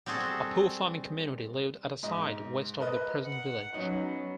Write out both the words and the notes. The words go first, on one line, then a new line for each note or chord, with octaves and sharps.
A poor farming community lived at a site west of the present village.
G3 C4 F#4 G#4 A4
G#2 D#5
A#4 B4 D#5
F#5
F#3 B3 C#4 D#4